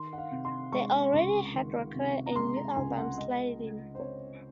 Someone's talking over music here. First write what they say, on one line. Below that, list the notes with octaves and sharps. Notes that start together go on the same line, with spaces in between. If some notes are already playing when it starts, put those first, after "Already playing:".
They already had recorded a new album "Slide It In".
Already playing: D#3 C6
F#5
F5
C3
C6
G#3 C#6
C#2
D#3
C3
A#5
G#3 C6
A#5
C#2 G#5
F#5
G#3 D#5
C#3
C5
C4 C#5